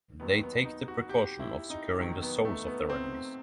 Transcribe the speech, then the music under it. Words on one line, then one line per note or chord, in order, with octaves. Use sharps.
They take the precaution of securing the souls of their enemies.
D#2 D#3 F#3 B3
B3
D#4
F#4
G4
E4
D#4
E2 D#3 F#3
B3
A3
B3
C4